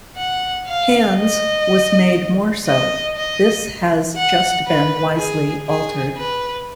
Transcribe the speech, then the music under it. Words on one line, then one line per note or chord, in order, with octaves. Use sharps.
"Hands" was made more so; this has just been wisely altered.
F#5
F5
D#5
D#5
D#5
F#5
B4
G#4
G#4
B4